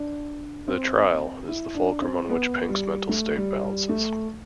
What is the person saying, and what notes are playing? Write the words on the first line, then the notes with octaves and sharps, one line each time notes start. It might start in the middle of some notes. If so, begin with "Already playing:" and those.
"The Trial" is the fulcrum on which Pink's mental state balances.
Already playing: D4
C4
E4
D4
C4
B3
G3
A3
G3
G3
A3